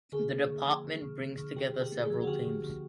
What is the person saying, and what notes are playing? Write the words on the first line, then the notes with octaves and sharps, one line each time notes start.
The department brings together several teams.
D3 G#4
A#3
D3
F3
D3
D3
D3
D3
D3 G4
D3
G4
A#3
G#4
F3
F#4
D3 G4
D3
D3